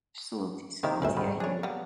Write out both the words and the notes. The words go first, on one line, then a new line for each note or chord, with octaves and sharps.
Just a little too skeezy, I hear you.
C3 D#3 A#3 D#4 E4
G1 D2 A#4 C5 E5
G#2 D#3 B5
D4 G#4 C#5
G3 A#3 B3